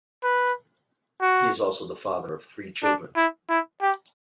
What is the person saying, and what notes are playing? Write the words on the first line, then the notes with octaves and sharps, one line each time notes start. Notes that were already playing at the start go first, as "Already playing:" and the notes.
He is also the father of three children.
B4
F#4
D4
E4
E4
G4